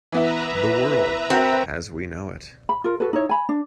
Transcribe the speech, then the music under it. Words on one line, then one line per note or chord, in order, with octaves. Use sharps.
The World as we know it.
E3 B3 E4 B4 E5 A#5
C4 F#4 A#4
B5
F4 A#4
F#4 A4 B4
D#4 E4 C#5
G#5 B5
D4